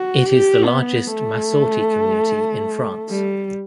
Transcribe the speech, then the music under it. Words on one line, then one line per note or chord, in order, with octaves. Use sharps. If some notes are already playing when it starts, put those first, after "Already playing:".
It is the largest Masorti community in France.
Already playing: F#4
G4
B3
A3
G3